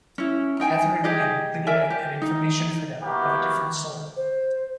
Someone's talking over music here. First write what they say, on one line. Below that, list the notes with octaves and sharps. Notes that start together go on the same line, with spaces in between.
Catherine and Lydia had information for them of a different sort.
C#4 E4
D#4 G5 G#5
D#4 G4 G#4 D#5
A#4 D5 E5 G#5
G4
D#4
A#3 B3 E4 F#4 G4
C5